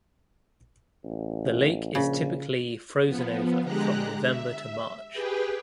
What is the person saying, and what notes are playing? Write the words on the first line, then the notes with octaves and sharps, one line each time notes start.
The lake is typically frozen over from November to March.
A1
A#1 C#3
F3 B3
D3 G#3 G4 A#5 F#6
E5
G4 G#4 B4 G5